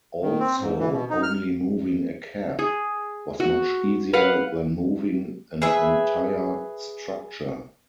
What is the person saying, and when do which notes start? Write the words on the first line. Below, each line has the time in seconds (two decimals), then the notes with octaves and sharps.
Also, only moving a cap was much easier than moving an entire structure.
0.23 D#3
0.40 C4
0.60 G#2
0.79 E3
0.92 B2
1.10 D#4
1.23 F6
2.59 G#4
3.40 F#4
4.13 B4 F5 F#5
5.62 G#4 B4 E5